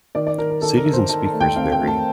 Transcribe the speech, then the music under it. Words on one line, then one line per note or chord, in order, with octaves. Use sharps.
Cities and speakers vary.
D#3 D5
D5
D#3 A#4
A#4
D#3 A4
A#4
D#3
C5
D#3 A5
A5
A3
G5
C4 F5
G5
A3
A5